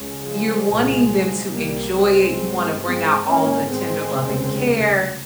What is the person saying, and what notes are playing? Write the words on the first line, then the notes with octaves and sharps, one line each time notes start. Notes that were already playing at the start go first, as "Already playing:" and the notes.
You're wanting them to enjoy it, you want to bring out all the tender love and care.
Already playing: C#2 C#3
F3 G#3
C2 A#2
C2 C3 G3 A#3
G#3 C4
G1 G2
G#3 C4
G#1 G#2 A#3 C#4
G#3 C4
F1 D#2 C#3